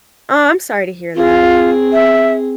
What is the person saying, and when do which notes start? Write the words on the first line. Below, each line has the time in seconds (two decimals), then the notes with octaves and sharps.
Oh, I'm sorry to hear that.
1.16 C4 F4 G#4
1.93 E5